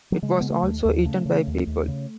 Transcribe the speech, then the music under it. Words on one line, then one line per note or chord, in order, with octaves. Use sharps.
It was also eaten by people.
F#3
C#3 G#3
C#3 B3
A3
D#2
D#2
C#3 A3
C#3
D#2
D#2
C#3